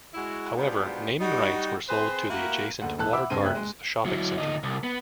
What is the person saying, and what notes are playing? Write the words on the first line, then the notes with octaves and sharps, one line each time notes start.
However, naming rights were sold to the adjacent Watergardens Shopping Centre.
G#3 E4 F#4
G#2 B2 B3 D4 F4 G4
G3 D#4 F#4
C4 G#4 B4 C5 C6
A3 A#3 E4 F#4 G4 A#4
F#1 D2 F#5
A#1 E3 A4 A5 F#6
E5 F#5 B5 D6 E6
G2 C#3 C4 D#7
F#1 C2 C#4 E5 G5 F#6
G#3
F#3 E4
D2 D#4
C2
B3